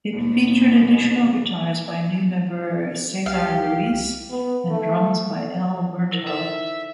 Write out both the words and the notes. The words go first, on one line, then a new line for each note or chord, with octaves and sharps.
It featured additional guitars by new member Cesar Ruiz and drums by Elle Murtagh.
D#2 B2
C2 G4 F5
B3
A3
E4 A#4 C5
D#4 A4 E5